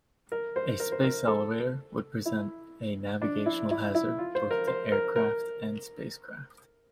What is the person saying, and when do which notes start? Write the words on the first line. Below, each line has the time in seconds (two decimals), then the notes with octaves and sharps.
A space elevator would present a navigational hazard, both to aircraft and spacecraft.
0.32 A#4
0.56 C5
0.80 A#4
0.92 C5
1.04 A#4
1.27 A4
2.25 E4
3.22 D4
3.46 E4
3.71 E4
3.95 E4
4.18 F4
4.35 C5
4.51 A#4
4.67 C5
4.92 A#4
5.16 A#4